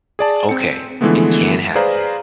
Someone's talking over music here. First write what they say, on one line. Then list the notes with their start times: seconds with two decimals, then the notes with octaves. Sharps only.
Okay. It can happen.
0.19 G#4 D5 A5
0.49 C4 C#7
1.01 D3 E3 F3 G#3 A3 B3
1.75 G#4 B4 C5 D5 F5 A#5